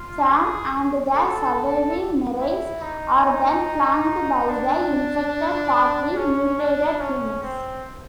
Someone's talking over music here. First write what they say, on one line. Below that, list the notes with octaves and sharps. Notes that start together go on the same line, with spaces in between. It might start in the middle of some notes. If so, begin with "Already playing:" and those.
Sam and the surviving marines are then flanked by the infected, partly mutated, humans.
Already playing: F4
G#4
A4
E4
D#4
D4
C#4
D4
C#4
C4